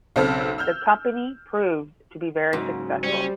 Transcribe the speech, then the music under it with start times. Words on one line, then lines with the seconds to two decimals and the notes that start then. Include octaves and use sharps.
The company proved to be very successful.
0.16 B1 C#3 C4 A4 E6 F6
0.58 E6 F6 G6
2.53 G#2 C#3 F#3
3.04 G3 C#4 C5